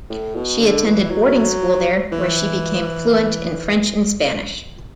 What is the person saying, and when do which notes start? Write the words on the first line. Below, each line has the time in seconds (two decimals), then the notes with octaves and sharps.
She attended boarding school there, where she became fluent in French and Spanish.
0.10 A2
0.35 B2
0.60 D3
0.85 E3
1.11 F#3
2.12 E3